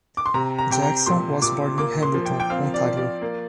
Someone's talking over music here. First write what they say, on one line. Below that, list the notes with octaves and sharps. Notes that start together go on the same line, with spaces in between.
Jackson was born in Hamilton, Ontario.
D6
C6
C3 A#5
A#5
C3 G5
A#5
A#2 C6
A#2 D6
A#3 D6
C6
F3
G5
G5
C4 F5
D5
F3
D5
A#3